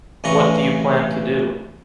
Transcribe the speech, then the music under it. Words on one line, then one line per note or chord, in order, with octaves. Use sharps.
What do you plan to do?
A1 C#3 E3 A#5 C#6